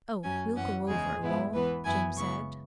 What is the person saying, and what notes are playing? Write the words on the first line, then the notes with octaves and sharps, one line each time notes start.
"Oh, we'll go over, Wal," Jim said.
F#2 F#3 C#4 G#5
F#2 E3 C#4 F#5
E2 C#3 G#3 G#4
G#2 G#3 B3 E4
E2 E3 B3 B4
F#2 E3 B3 E4 G#5
C#3 G#3 B3 E4 C#6